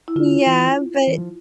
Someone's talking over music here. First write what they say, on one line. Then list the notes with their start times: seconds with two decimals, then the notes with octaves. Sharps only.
yeah, but
0.08 E4
0.16 D3 F4
0.47 E3
1.07 E3
1.18 F3